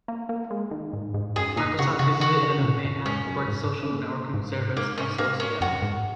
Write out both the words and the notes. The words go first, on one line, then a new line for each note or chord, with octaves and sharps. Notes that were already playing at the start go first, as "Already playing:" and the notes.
Microsoft uses it in a domain hack for its social networking service so.cl.
A#3
A#3
G#3
D#3
G#2
G#2
F#2 G#4
A#2 D#4
C#3 F#4
C#3 F#4
D#3 F#4
C#3
C#3
A#2
F#2
G#2 C#4
F#2
G#2
C#3
A#2
G#2
G#2 A#3
C#4
G#2 A#3
C#4
F#2 F#4
G#2